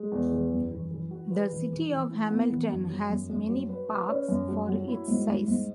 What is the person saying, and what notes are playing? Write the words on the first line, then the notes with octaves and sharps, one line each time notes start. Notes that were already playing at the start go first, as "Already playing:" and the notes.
The city of Hamilton has many parks for its size.
Already playing: G#3
E2
E3
F#2
E3
E3
F#4
B4
E3
E3
E3
E4
B3
E3
F#2
F#3
F#2
F#2
F#3
B4
B4
C#4
F#2
F#3
F#3
E4
G#2
G#2
G#2